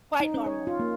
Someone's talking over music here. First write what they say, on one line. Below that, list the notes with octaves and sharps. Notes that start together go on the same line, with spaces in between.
Quite normal.
D#4
C#4
C#5
F4
A#3